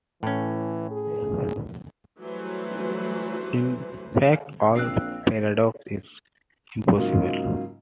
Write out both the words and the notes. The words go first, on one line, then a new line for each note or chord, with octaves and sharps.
In fact, all paradox is impossible.
A2 E3 C#4
G#4
E3 F#3 G3 A3 B4 C5
A#1 C4 F5 E6 F#6
G#2 C#3 F#3 A#3 D#4 F4